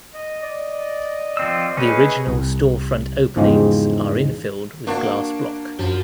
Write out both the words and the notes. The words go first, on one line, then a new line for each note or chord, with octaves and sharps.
The original store front openings are infilled with glass block.
D#5
D5 D#5
F3 C4 E6
A3 C#4 G#4 B4 D#5
C2
E2 G#2 C#3 F3 G#3 G4
A#3 D4 F#4 C#6
F#2 F3